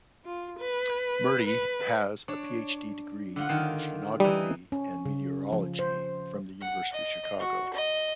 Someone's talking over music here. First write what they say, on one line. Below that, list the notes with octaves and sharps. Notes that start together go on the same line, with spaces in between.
Murty has a PhD degree in oceanography and meteorology from the University of Chicago.
F4
B4
B4
D4 C#5
D3 F4 F#5
D3 D#3 F4
E3 G3 D#4
C#4
C#3
F3
C5
F#5
D#5
F#4
D#5